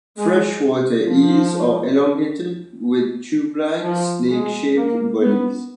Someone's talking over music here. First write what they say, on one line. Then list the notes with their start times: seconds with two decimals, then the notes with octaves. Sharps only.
Freshwater eels are elongated with tubelike, snake-shaped bodies.
0.17 G#3
1.09 F3
3.84 F3
4.30 G#3
4.76 A#3
5.21 B3